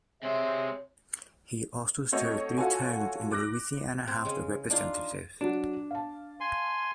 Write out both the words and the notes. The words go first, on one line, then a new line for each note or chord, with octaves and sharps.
He also served three terms in the Louisiana House of Representatives.
C3 G#3 C4 C5 C#5 E5
A3 C4 F#4 A4 C#5 D#5
F4 F#4 A4 C#5 G#5
D6 F#6 A#6
C4
C#3 G#3
D4 D#4 F4 F5
F#3 D4 F#4
F5 A5
G#5 C6